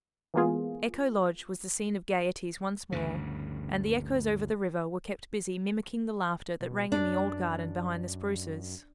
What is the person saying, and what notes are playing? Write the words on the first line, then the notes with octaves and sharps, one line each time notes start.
Echo Lodge was the scene of gaieties once more, and the echoes over the river were kept busy mimicking the laughter that rang in the old garden behind the spruces.
E3 G#3 A#3 B3 F4 G#4
D2 G2 C#3
B2
F#2 D4